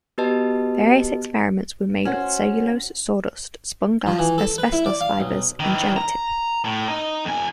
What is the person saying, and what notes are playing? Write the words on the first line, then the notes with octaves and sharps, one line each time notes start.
Various experiments were made with cellulose, sawdust, spun glass, asbestos fibers, and gelatine.
B3 F#4 G4 B4 D#5 A5
C#4 F#4 C5
F3
E3
A4
B4
E4
D5
F5
B1
D#3 E3
A#5
A2
D#4
F2 G#5